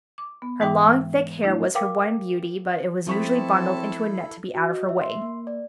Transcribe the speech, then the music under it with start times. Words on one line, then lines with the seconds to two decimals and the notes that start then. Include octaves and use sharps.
Her long, thick hair was her one beauty, but it was usually bundled into a net, to be out of her way.
0.18 D6
0.42 B3
0.60 G#2 E3 G#3 D#4 G5 D6
1.43 A3 D4 E4
1.75 A#4 F5 G5 D6
3.07 F3 C4 E4 A4 A5 C#6 B6
4.55 F#4
4.70 D#5
4.89 E5
5.02 C6
5.22 A#3
5.47 D5